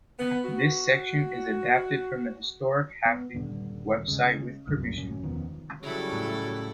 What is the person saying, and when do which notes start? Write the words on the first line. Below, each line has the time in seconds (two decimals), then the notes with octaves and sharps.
This section is adapted from The Historic Happing Website with permission.
0.19 B3
0.44 F#4
3.05 B3
3.35 D#1 G2 D3
4.08 C#3 G#3
4.67 C2 F#2 A#2
4.98 D1 F#2 C#4
5.23 E1 D#3 F3 B3
5.83 C#3 F#3 G3 E4 A4
6.13 A2